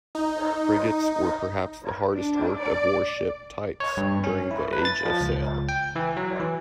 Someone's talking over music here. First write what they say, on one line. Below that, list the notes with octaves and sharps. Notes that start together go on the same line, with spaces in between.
Frigates were perhaps the hardest-worked of warship types during the Age of Sail.
D#4
D4
D5
C#5
G2
C#4
E4
B4
A6
F3
C#2
G5
E3
F#3
E3